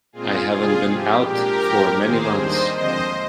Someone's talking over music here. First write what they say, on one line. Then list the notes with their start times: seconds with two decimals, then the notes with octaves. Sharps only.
I haven't been out for many months.
0.13 A#2 G#3 C4 F4 G#4
0.50 C3 G3 A#3 D4 F4 G#4
0.88 G#2 F3 C4 G4
1.26 A#2 G#3 D4 G4 A#4
1.64 G#2 F3 A#3
2.01 D#2 D#3 G#3 C4 G#4 C5
2.39 D#2 D#3 G3 A#3 D4 C5 D#5
2.76 D3 F3 G#3 C4 C5 D#5